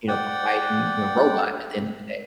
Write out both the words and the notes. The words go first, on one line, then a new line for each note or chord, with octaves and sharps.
you know, providing, you know, robot at the end of the day,
D5 F#5 G5